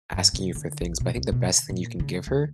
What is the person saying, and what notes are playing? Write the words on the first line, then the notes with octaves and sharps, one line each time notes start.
asking you for things but I think the best thing you can give her
G2
C3
D3
A#1
B2
D2
B2
D3
A#2
C#3
D2